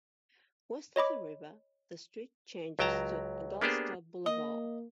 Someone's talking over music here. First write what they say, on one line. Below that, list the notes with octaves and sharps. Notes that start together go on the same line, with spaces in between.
West of the river, the street changes to Augusta Boulevard.
C#5 D#5 B5 D6
C#2 F#3 G5 A5 A#5
A#3 B3 D4 G4 G#4 C5
A#3 D#5